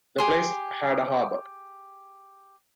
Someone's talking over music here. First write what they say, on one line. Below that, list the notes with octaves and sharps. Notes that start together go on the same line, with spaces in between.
The place had a harbour.
G4 G#4 C6